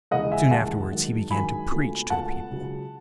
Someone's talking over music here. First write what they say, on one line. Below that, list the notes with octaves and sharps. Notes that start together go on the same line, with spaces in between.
Soon afterwards he began to preach to the people.
D#2 C#3 E3 G#3 D#5 F#5
E5 G#5
D#2 C#3 E3 G#3 F#5 A5
F#2 D#3 G#3
F#2 D#3 G#3 G#5 B5
C#2 B2 A3
C#2 B2 A3 F#5 A5
C#2 C#3 F#3